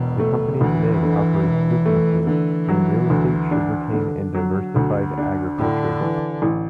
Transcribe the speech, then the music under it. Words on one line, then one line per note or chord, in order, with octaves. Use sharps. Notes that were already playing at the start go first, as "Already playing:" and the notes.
The company today operates businesses in real estate, sugarcane, and diversified agriculture.
Already playing: E1 B2
A3
D2 E3
D3
E1
A3
D3 E3
F#3
D2
D4
D3
F#3
D2
D4
A2 D3
E3
A1